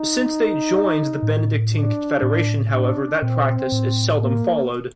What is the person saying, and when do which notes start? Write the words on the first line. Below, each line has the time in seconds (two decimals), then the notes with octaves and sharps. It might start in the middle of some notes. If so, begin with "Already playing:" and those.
Since they joined the Benedictine Confederation, however, that practice is seldom followed.
Already playing: D#4
1.22 A2
1.73 D4
2.22 A2
2.72 D4
3.22 A#2 C4
3.72 A2
4.22 A#3